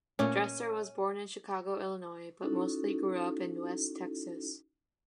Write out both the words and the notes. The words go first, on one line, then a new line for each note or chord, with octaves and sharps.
Dresser was born in Chicago, Illinois, but mostly grew up in West Texas.
A#2 A3 C#4 D6
C#4 D#4 E4 F#4 A4